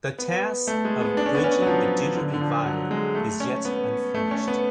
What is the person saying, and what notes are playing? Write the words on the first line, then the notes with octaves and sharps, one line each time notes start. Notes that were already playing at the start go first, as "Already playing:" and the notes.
The task of bridging the digital divide is yet unfinished.
B3
A3
G#3
B3
D4
C#4
B3
C#4
F#3
F3
D3
D3
F3
F#3
G#3
A3
C#4
B3
A3
C#4
B3